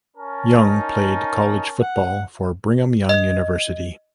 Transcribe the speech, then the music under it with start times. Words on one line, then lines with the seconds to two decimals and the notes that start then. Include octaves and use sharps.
Young played college football for Brigham Young University.
0.16 C#4 A#4 A5
0.60 D#4
1.82 F#5
3.09 D#5